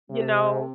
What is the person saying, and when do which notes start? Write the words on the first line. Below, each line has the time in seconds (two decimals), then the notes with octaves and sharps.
you know?
0.11 C3